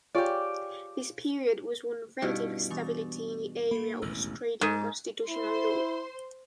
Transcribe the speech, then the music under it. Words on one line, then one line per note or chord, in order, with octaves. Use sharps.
This period was one of relative stability in the area of Australian Constitutional Law.
F4 G4 G#4 C#5 D5
G2 B2 C#4 D#4 E4
E3 B3 C#6
A#3 A4 A#4 B5
E1 A1 D#2 E6
G#2
E4 C5 C6